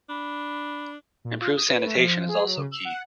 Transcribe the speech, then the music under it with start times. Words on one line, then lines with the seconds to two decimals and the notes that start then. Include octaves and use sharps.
Improved sanitation is also key.
0.09 D4 B5
1.25 A#2
1.41 F4
1.56 D#6
1.69 B4
1.86 A3
1.97 F3
2.28 G#4
2.44 F#3
2.57 C#3
2.71 E6
2.85 F#5